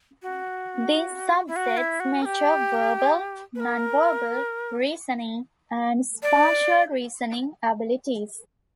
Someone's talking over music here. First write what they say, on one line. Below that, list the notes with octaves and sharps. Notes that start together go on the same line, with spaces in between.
These subtests measure verbal, nonverbal reasoning, and spatial reasoning abilities.
F#4
E4
F#4
E4
F#4
A#4
G4
B4
A#4
D5